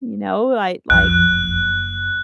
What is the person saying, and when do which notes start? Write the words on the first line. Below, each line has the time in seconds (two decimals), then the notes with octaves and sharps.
you know, I like,
0.90 B1 F2 F3 F#6
1.33 F#1